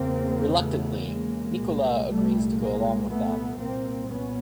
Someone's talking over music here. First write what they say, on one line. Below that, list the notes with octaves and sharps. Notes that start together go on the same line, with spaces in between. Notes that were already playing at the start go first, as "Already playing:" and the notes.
Reluctantly, Nicola agrees to go along with them.
Already playing: E2 C#3 A#3 C4
A3 B3
G#3 A#3
C2 A#2
G3 A3
G#3 A#3
A3 B3
C2 A#2 A#3 C4
B3 C#4